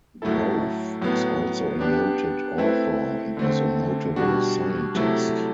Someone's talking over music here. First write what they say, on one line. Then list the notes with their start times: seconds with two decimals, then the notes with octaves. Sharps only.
Grove is also a noted author and was a notable scientist.
0.22 A2 F#3 A3 E4 A4
1.01 A2 F#3 B3
1.79 B3 D4 G4
2.58 A3 C4 E4 B4
3.37 D3 A3 C4
4.16 B2 G3 D4 F#4
4.95 C3 F#3 A3 E4 A4